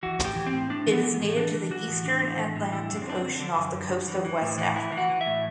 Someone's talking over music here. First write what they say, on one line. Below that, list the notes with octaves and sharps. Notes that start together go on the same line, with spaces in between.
It is native to the eastern Atlantic Ocean off the coast of West Africa.
E3 F#4
A2
G4
E3
C4
A2
A2 D4
E3 B3
E3
B3
A2
E3 D4
E3
E3 F#4
A2
E3 D4
A2
E3
A2
D3 E4
F#2
D4
C4
D3 D4
C4
D3
D3 D4
F#2
F#2
F#2
E3
E3
A2
E3
E3 E4
E3
F#4
E3
E5
A2